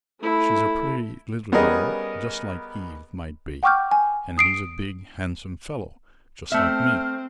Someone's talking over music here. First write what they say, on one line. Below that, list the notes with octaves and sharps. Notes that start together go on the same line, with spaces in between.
She's a pretty little girl--just like Eve might be; and he's a big, handsome fellow--just like me.
A3 E4
G3 B3 C#4 G#4 A#4 D#5
F#5 G5 C#6 D6 F6 G6
G#5
D#6 C7 D7
A3 C4 E5 F6